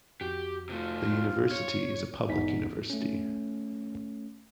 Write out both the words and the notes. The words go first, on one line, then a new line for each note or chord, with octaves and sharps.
The university is a public university.
F2 F#4 G4
C3 A3 F4
C#5
A#1 E2 G#2 D#4 B6
A3 C#4